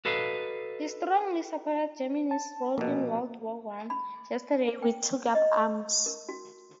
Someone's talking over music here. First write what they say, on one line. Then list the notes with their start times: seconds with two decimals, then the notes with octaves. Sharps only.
He strongly supported Germany's role in World War One: Yesterday we took up arms.
0.05 F#4 A4 B4 D#5 F5
2.31 A5
2.78 A#1 B2 A#3
3.90 B5
4.82 G5
5.35 D#5
6.06 A#4
6.29 F#4